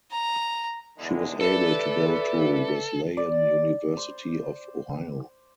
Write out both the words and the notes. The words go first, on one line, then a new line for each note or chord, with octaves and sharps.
She was able to go to Wesleyan University of Ohio.
A#5
E2 D3 G#3
A4 B4 D5 E5
D5
C5